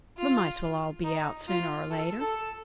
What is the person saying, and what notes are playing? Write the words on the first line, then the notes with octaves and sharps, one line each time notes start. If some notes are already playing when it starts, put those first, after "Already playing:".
The Mice will all be out sooner or later.
F4
D#4
F4
A4
A4